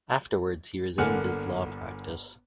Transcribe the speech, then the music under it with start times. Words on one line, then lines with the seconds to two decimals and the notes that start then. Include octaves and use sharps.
Afterwards he resumed his law practice.
0.98 G1 D3 A#3 F#5 G#5 F6